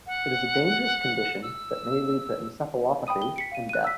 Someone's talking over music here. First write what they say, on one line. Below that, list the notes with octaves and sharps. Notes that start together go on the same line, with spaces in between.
It is a dangerous condition that may lead to encephalopathy and death.
F#5
E6
G5 B5 D#6 D#7
G5 G7
B6 C#7 D7
F5 D#7
F#6 D#7
E6 B6